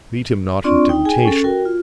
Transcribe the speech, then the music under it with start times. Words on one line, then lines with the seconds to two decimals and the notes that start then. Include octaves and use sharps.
Lead him not into temptation.
0.64 C4 D4 F4 D5 C6 C#6
0.89 D#4 G5
1.05 G#4 G5 G#5
1.25 C#4 A4
1.44 F#4 A#4 G5
1.66 F4